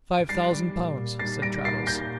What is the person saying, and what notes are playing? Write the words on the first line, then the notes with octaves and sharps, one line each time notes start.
'Five thousand pounds,' said Traddles.
D7
G3 A6 C7
G3
A#2
A#2
G3 A6 C7
G3 A#6 D7
A#2 A6 C7
A#2 G6 A#6